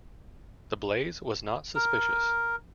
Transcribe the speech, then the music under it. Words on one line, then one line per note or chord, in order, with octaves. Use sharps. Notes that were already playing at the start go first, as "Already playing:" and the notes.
The blaze was not suspicious.
A#4